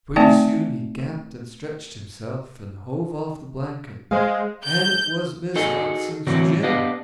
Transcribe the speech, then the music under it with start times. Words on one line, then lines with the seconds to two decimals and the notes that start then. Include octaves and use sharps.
Pretty soon he gapped and stretched himself and hove off the blanket, and it was Miss Watson's Jim!
0.16 A3 C4 D#4 D5 G5 A5
4.11 G#3 C5 F5
4.64 G6
5.56 D#4 F#4 G#4 A4 D#5
6.27 A2 D3 E3 F#3 C4 F#4
6.63 B3 D4 G4 B4 D#5 F5